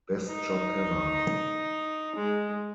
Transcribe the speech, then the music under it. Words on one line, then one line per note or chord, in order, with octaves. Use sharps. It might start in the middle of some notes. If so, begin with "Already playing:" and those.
Best job ever!
D#4
G#3